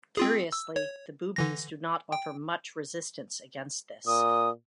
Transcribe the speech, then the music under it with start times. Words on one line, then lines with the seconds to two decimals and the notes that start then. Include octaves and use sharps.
Curiously, the boobies do not offer much resistance against this.
0.17 C4 F4 G#4
0.52 E6
0.76 C#5
1.36 D3 E3 A#6
2.12 G5
4.07 A#2 D#6